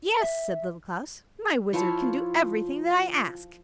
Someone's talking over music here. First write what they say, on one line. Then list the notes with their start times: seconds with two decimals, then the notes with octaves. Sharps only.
'Yes,' said Little Klaus; 'my wizard can do everything that I ask.
0.20 E5
1.73 F3 E4 F4 C#5